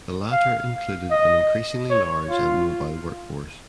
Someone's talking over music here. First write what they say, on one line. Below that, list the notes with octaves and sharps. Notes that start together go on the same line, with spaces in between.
The latter included an increasingly large and mobile workforce.
F5
D#5
C#5
F4